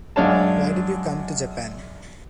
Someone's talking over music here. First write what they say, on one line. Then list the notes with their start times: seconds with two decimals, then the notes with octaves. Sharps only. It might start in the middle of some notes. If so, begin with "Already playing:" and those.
Why did you come to Japan?
0.16 F#2 G#3 D4 C#5 F5 A5